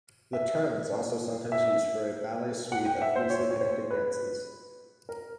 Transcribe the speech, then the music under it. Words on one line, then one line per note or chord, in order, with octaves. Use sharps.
The term is also sometimes used for a ballet suite of loosely connected dances.
E5
E5
F#5
G5
E5
C5
C#5
C#5
C5
B4
A#4